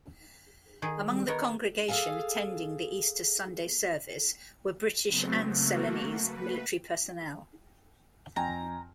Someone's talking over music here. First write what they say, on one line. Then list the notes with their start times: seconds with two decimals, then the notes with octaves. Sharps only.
Among the congregation attending the Easter Sunday service were British and Ceylonese military personnel.
0.82 D#3 G#4
1.09 G3
1.28 B3 A#4 C#5 D#5
1.88 G#4 A4 F5 G#5
5.06 C#3 F#3 A3 B3 C4
5.50 A3 A#3 F#4
6.24 B4
8.36 F2 G5 G#5 A#5